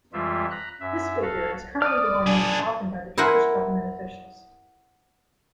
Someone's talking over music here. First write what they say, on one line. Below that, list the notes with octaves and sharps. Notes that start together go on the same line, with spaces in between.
This figure is currently the one used often by the Turkish government officials.
F2 E3 G3 G#3 F4 E5
A#5 B5 F#6
F#2 E5
F#4 A4 F5
D5 D#6 F6
D4 G#4
E4 A#4 C5 E5 F#5 G#5